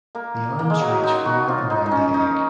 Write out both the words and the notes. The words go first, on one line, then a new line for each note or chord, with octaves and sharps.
The arms reach far around the egg.
A#3
A#3
G#3
F#3
F#3
D#4
F#4
F4
D#4
D#4
C#4
D#4